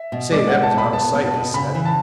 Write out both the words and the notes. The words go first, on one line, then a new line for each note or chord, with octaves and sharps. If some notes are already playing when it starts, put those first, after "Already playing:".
"Say, that was out o' sight," he said.
Already playing: E5
B2
G#3 D5
F#5
G#3
A5
B2
B5
B3 A5
B3
A5
B2
C#3 B5
E3
A5